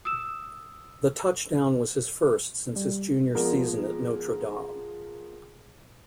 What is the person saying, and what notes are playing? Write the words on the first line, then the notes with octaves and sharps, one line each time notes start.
The touchdown was his first since his junior season at Notre Dame.
D#6 E6 E7
G3
F3 G#3 B3 G#4 A#4 D5